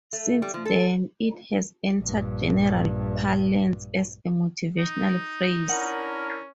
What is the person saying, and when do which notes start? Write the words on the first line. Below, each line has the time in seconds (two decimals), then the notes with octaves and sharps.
Since then, it has entered general parlance as a motivational phrase.
0.13 A3
0.42 G3
0.54 F3
0.65 A4
1.98 A#1 G2
4.78 D#4
5.69 C#4 D4 E4 A#4 F#5